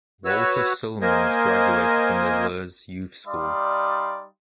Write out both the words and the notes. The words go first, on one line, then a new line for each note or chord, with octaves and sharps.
Walter Ceulemans graduated from the Lierse Youth School.
F#4 B4 C#5 E6
A#3 A#4 C5 D#5 G#5
G3 D#4 D5 F5 C6 D#6